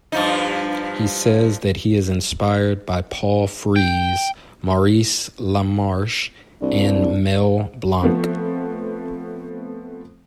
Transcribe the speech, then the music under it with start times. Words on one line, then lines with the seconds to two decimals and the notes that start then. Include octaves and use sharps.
He says that he is inspired by Paul Frees, Maurice LaMarche, and Mel Blanc.
0.12 G2 F3 D#4
3.76 G5
6.62 C2 D4
8.03 F3 A3 B3 C4